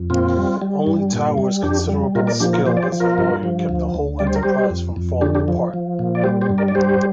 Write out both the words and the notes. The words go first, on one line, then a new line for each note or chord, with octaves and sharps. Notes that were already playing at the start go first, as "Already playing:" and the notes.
Only Tower's considerable skill as a lawyer kept the whole enterprise from falling apart.
Already playing: F2
A#2 C4 F4
G3
G3
G2
A#2
G3
F2 D4 G4
G3
A#2 F4 A#4
A#4 D5
F3 D4 G4
F4 A#4
F3 G4 C5
D5
G4 C5
F3
F4 A#4
G2
F3
D2
D2
G3 D5
C5
A#4
G3 G4 C5
F2
F2
D3 D4 G4
D4 G4
F3
F3
A#2
D5
G3 G4 C5
G4 C5
G2
A#4 D5
D5
G3 G4 C5